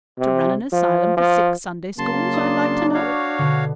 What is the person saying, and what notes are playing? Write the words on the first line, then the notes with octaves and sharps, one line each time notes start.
To run an asylum for sick Sunday schools, I'd like to know?
C3
F3
F3
C#3 F#3 A#3 A5 C6
D4 D#6
F#4 C#5 F5
B2 D3